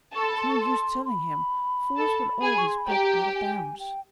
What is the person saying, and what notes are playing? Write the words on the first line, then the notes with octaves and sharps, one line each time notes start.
It's no use telling him, fools will always break out o' bounds.
A4 A5 C#6
C6
B5
C6
C#6
C6
C6
B5
A4 A5
G#4 G#5
C#6
C6
B5
G4 G5 A#5
G#5
G5